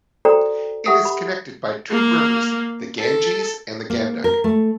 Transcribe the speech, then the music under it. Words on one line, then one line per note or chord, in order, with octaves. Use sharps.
It is connected by two rivers, the Ganges and the Gandak.
F#4 A4 C5 D5 G5 A#5
G4 E5 F#5 D#6
B5
A#3
A4
A#3
A#4
A3